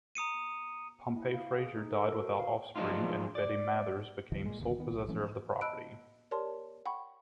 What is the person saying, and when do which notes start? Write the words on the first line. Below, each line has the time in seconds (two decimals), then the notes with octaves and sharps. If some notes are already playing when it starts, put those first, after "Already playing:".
Pompey Frazier died without offspring and Betty Mathers became sole possessor of the property.
0.15 A#5 D#6 C#7 D#7
1.16 E4
1.34 F5
1.58 G#4
1.76 D#4
1.93 A4
2.07 A#4
2.21 F#4
2.40 F5
2.76 F3 F#3 G#3 D4 D#4 F4
3.35 D5
4.32 C2 D#3 F3
4.46 A#2 G#3
4.60 G1 D#2 C#3
4.78 D#3 B3
4.92 B1
5.08 E3 F3 A3 C#4
5.61 D#5 A5 B5 E6 F#6 D7
6.31 G4 A#4 C#5 D5 A5 C6
6.86 F#5 G5 B5 C#6